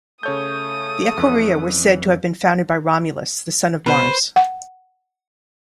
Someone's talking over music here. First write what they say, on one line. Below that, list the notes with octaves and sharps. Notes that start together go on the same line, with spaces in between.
The Equirria were said to have been founded by Romulus, the son of Mars.
C#3 A3 A4 C#5 D#6 G6
F2 E3
B2 B4 C5
F#5